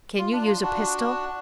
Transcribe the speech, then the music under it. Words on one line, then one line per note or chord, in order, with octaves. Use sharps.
"Can you use a pistol?"
F4
D4
F4
D4 F#4